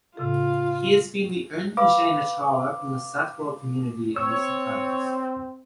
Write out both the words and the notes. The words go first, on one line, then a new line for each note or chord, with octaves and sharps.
He has been the only Jain acharya from the Saitwal community in recent times.
A2 C#3 F4 A4
B4 F5 B5 D6
C4 C#5 E6